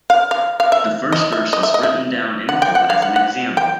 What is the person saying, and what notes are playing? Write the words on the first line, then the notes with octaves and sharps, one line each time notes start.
The first verse is written down in full as an example.
F5
F5
F5
E5
D#5
E5
D#5
E5
D#5
E5
F#5
G5
F#5
F5
F#5
F#5
G5